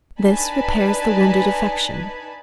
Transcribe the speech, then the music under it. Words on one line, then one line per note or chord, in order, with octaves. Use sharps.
This repairs the wounded affection.
D4 D#4 B4 G#5 A5 B5